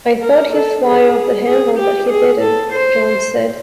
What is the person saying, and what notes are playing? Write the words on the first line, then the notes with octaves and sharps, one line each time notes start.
"I thought he'd fly off the handle, but he didn't," Jones said.
A#4
A4
G#4
G#4
G4
G#4
A4
C5